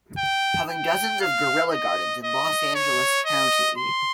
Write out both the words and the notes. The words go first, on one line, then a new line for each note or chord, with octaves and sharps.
Having dozens of guerrilla gardens in Los Angeles County.
G5
G5
F5
D#5
D#5
C#5
D#5
C6